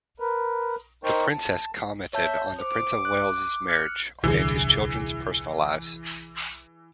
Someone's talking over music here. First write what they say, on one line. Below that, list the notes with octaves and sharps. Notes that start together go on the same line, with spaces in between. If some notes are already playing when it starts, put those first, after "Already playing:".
The Princess commented on the Prince of Wales' marriages and his children's personal lives.
A#4 B4
D#4 A#4 C5 G5 C#6
A5
C#5 E5 A5 G6
C5 D6
F#6
F6 F#6 C#7
D#1 C2 D3 E3 G#4